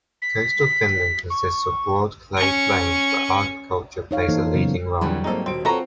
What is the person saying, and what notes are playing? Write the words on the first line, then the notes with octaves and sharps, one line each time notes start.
Coastal Finland consists of broad clay plains where agriculture plays a leading role.
B6
C#6
C#4 C#6
D#4 C#5 F5
E3 A#3 D#4 A4 C5
C#3 F#3 B3
F2 D3 E3 F#3 G3
G#2 A#3 C4 D#4 A4
D#1 B2 C4 D7
C4 F4 F#4 A4 B4 C#5 A#5